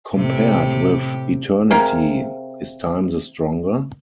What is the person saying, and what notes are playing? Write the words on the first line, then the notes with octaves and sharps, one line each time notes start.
Compared with eternity, is time the stronger?
A2 C3 G4
C3 G#4 A#4 F5